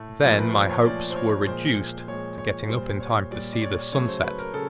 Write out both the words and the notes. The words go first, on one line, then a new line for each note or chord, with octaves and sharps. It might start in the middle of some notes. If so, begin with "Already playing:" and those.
Then my hopes were reduced to getting up in time to see the sunset.
Already playing: A2 A3
A#2 F3 A3 A#4
B4
C5
C#5
A#2 F3 A3 D5
C5
C#5
A#2 F3 G#3 C5
A#2 F3 G#3 C#5
C#5
A#2 G3 C5
C5
C#5
A#2 G3 D5
D5
C#5
C#3 F#3 A3 C#5
C5
B4
A#4
C#3 A4